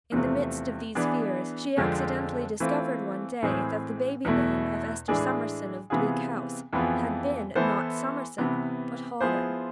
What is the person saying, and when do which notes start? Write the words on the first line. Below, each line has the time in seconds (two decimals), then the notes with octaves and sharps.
In the midst of these fears, she accidentally discovered one day that the baby name of Esther Summerson of Bleak House had been, not Summerson, but Hawdon.
0.12 E2 C3 F3 A3
0.95 E3 B3 D4 G#4
1.77 F2 D3 F3 G#3 C4
2.60 E3 A3 C4 F4
3.42 A2 E3 G#3 C4 G#4
4.25 E2 B2 A3 E4
5.08 A2 E3 G#3 D4 G#4
5.90 C3 E3 B3 F4 G#4
6.73 F2 E3 B3 F4 G#4
7.55 E3 B3 E4 A4 C5
8.38 C3 E3 B3
9.20 F3 B3 E4 G#4 C5